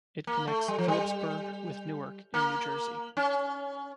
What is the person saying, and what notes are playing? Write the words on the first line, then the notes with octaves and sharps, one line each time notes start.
It connects Phillipsburg with Newark in New Jersey.
A#3
A3
G3
F3
G3
A#3
C#4